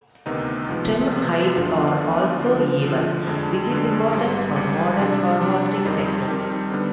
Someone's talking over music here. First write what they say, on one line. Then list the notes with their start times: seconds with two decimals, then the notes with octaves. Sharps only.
Stem heights are also even, which is important for modern harvesting techniques.
0.26 D2 C3 D#3 B3 D#4
0.68 C3 F3 G#3 B3
1.11 C3 F3 G#3 B3
1.54 D2 D3 F3 B3 F4
1.97 D2 D3 F3 B3 F4
2.41 D2 D3 F3
2.83 D2 D3 F3
3.27 F2 D3 G#3
3.70 F2 D3 G#3
4.13 G#1 G#2 G3
4.56 G#1 G#2 G3
4.98 C3 G3 D4
5.41 C3 G3 D4
5.85 F2 D#3 G3 C4 D#4
6.28 F2 D#3 G3 C4 D#4
6.71 D3 G3 B3